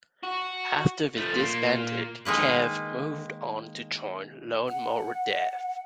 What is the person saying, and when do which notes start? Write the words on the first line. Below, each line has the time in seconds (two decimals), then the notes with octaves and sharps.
After they disbanded, Kev moved on to join Lawnmower Deth.
0.23 F#4
1.17 F3 A3
1.36 A#2 A#3
2.25 D#3 G#3 A#3 B4
4.68 F#5